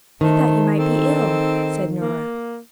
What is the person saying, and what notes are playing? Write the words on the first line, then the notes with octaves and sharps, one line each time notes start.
"We thought you might be ill," said Nora.
D#3 A3 D#4 C5
C4 D#4 A4
A#3